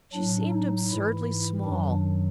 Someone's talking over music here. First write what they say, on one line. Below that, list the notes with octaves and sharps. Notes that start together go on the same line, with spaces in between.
She seemed absurdly small.
A2 F#3 D4
D#4
G#2 E3 E4
F#2 D#3 F#3 D4